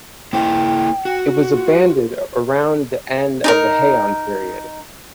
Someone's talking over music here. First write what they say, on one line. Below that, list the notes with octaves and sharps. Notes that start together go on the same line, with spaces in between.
It was abandoned around the end of the Heian period.
A#3 E4 C5 G5
F#4
F4
D#4 G#4 A#4